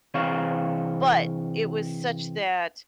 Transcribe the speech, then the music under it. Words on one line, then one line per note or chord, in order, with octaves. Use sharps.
But it was such that
C3 E3 C4 G#4 C#5 F5